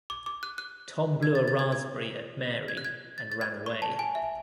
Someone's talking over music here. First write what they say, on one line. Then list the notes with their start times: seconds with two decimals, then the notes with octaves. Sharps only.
Tom blew a raspberry at Mary and ran away.
0.10 D6
0.26 D6
0.43 F#6
0.58 F#6
1.23 G#6
1.35 A6
1.48 A6
1.59 G#6
1.72 G#6
2.68 G#6
2.77 F#6
2.85 G#6
3.18 A6
3.32 A6
3.41 G#6
3.66 C#6
3.82 A5
3.99 G#5
4.15 E5